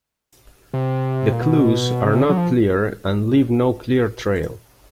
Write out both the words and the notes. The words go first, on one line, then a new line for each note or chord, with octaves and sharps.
The clues are not clear and leave no clear trail.
C3
A#2
B2
C#3
C3
D3
F#3
F3